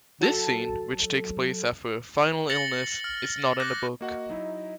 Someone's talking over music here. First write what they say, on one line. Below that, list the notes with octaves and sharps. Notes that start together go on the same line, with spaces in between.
This scene, which takes place after her final illness, is not in the book.
F#3 A4 A5
A6 A#6 C#7 F#7 G7
F6
D6 F#6 G6 A#6
A#3 F#4 D#5 F#5
F#3 D#4 E4